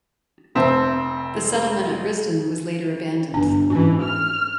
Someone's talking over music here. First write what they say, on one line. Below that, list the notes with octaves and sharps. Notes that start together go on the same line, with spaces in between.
The settlement at Risdon was later abandoned.
F1 C4 E5 A5
G1 D4 G#5
G#2 E3 C4 C#4 F#4
F6